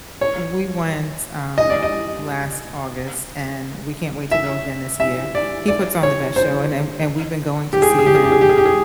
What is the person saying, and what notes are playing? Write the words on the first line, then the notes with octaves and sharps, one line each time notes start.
We went, um, last August, and we can't wait to go again this year. He puts on the best show, and and and we've been going to see him,
C#5
D#5
D5
D#5
E5
E5
D5
D5
C#5
C5
G4
G#4
G4
G#4
G4
G#4
G4
G#4
G4
G#4
G4
G#4